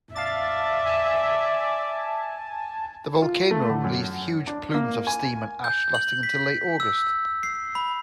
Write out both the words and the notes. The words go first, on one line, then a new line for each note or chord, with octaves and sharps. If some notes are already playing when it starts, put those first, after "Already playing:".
The volcano released huge plumes of steam and ash lasting until late August.
D5 E5 F5 A5 A6
G#5 A5
F4
A3
D3
F#2
D4
A#3
G#5
G6
F#7
B6
E6
C7
B5